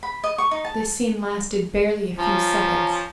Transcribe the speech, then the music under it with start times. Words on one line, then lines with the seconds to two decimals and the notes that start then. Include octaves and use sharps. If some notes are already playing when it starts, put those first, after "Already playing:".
This scene lasted barely a few seconds.
0.03 B5
0.24 D#5
0.38 C#6
0.51 D#4
0.65 A5
2.18 F3 C#4 A#5